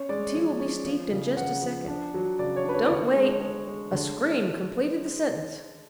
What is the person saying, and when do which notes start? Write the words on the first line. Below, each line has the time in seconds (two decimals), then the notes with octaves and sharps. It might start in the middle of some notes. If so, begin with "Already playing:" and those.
"The tea will be steeped in just a second. Don't wait--" A scream completed the sentence.
Already playing: C#4 C#5
0.09 G#3 D5
0.35 F3
0.60 C#4
0.86 F3
1.11 C#3
1.37 C#3 F#5
1.62 F3
1.88 D4
2.14 F#3
2.39 C#3 D5
2.56 C#5
2.64 D4 B4
2.74 C#5
2.85 D5
2.90 D3 C#5
3.16 G#3
3.41 G#3
3.68 G#3
3.92 D3